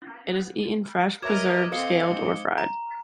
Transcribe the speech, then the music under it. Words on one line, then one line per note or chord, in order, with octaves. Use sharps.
It is eaten fresh, preserved, scalded or fried.
F#4 A#4 B4 C#5 D#5 E5 D6 G#6
C4 A4 D#5 F5 D6 C#7 G7
G#3 D#4
A#5